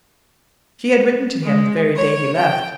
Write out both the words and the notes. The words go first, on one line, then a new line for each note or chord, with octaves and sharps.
She had written to him the very day he left.
G#3
C#5
G5